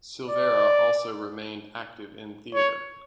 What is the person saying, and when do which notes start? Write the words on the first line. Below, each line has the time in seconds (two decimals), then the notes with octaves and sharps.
Silvera also remained active in theatre.
0.29 D5
2.55 C#5